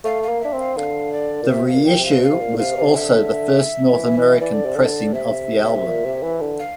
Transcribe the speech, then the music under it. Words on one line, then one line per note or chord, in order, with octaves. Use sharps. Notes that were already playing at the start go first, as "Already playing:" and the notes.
The reissue was also the first North American pressing of the album.
A3 F5
F5
A#3
D4 E5
C4
F5
D3 F5
D5
A#2
C3 E5
F5
A#2
G5
C3
F5
F5
C3
A#2
C3 F5
C3
C3
D3 E5
E3
E3
E3 D5
D3
C3
D3
C3 E5
A#2
C3
E3
D3
F5